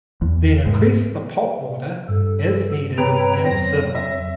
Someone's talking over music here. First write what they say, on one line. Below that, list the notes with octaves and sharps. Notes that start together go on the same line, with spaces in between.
Then increase the pot water as needed and simmer.
E2
G#2
G2 A4
C3 B4 C#5 G5 A#5
F2 F#3 C4 A#6
E5